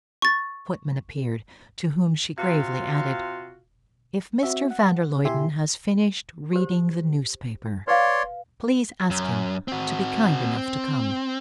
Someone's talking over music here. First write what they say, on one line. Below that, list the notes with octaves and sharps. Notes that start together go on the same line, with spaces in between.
A footman appeared, to whom she gravely added: "If Mr. van der Luyden has finished reading the newspaper, please ask him to be kind enough to come."
C#6 A6
C3 F4 F#4 F5
C4 F#4 E5
F#5
B2 E4 G4 E5 G#5 C6
G4 C5
B4 C#5 D5 F5 C6
F#2
C4 F#4
C4